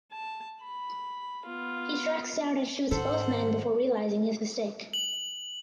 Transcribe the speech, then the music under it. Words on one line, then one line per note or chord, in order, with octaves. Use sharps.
He tracks down and shoots both men before realizing his mistake.
A5
B5
B3 F4
G#2 D#3 A4 C5 F#5
F#7